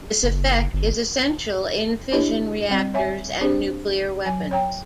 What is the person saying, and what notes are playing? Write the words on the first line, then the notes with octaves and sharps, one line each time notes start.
This effect is essential in fission reactors and nuclear weapons.
F#1
G1
D4 E4 G4 C#5 D#5
G3 C4
C#5 E5 G#5
C4 D4 G4 G#4 C5
F#3 G#5
C#5 G5 A#5